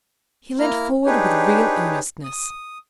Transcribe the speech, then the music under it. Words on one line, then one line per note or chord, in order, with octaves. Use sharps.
He leant forward, with real earnestness.
A#3 E4 A#5 F6
D4 D#4 G4 G#4 B4 C#5
D#6